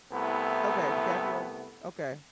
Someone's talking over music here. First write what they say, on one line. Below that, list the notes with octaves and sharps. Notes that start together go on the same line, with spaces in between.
Okay, DiCaprio. Okay.
C2 A3 B3 E4